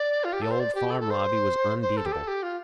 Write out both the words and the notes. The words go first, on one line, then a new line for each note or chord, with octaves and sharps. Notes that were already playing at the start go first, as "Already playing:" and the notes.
The old Farm Lobby was unbeatable.
Already playing: D5
F4
G4
A4
C5
D5
G4
A4
A4
C5
C5
A4
G4
A4
G4
F4